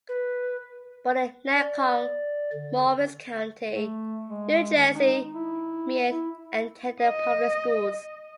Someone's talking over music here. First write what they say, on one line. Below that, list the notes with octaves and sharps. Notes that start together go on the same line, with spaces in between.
Born in Netcong, Morris County, New Jersey, Meade attended the public schools.
B4
D5
D3
A3
G#3
D#3
D#4
E4
E4
D#5